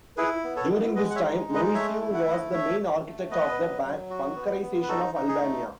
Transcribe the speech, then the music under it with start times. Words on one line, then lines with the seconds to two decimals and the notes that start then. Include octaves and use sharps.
During this time Moisiu was the main architect of the bunkerisation of Albania.
0.17 E4 G#4 B4
0.44 B3
0.56 A4 C#5
0.70 B3
0.96 G#3 B4 D#5
1.10 F#5
1.15 C#5 E5
1.22 D#4
1.48 G#3
1.54 B4 D#5
1.74 A3 C#5 E5
2.01 E4
2.14 F#5
2.22 E5
2.27 A3 D#5 F#5
2.52 A3 C#5 E5
2.80 A3
3.05 A3
3.31 B3 B4 D#5
3.58 F#3
3.84 F#3
4.10 F#4
4.36 B3
4.62 B3
4.83 B4
4.89 D#4 F#4 A4
5.15 D#4
5.28 G#4
5.41 A3